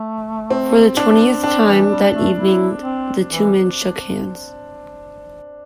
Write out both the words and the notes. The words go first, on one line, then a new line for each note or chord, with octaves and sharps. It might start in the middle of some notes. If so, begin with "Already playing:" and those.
For the twentieth time that evening the two men shook hands.
Already playing: A3
C4
D4
C4 D4
E3
G3
A3
E4
C4
E3